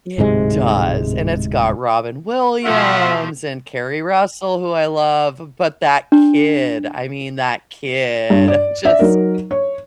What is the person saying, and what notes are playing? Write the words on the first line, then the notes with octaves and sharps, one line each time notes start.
It does. And it's got Robin Williams and Carrie Russell, who I love. But that kid, I mean, that kid just
D1 G#2 C3 G#3
B2 F3 A3 F4 E5 F#5
D4
G2
D5
D5 E5
F#3 D#4 A#4
C#5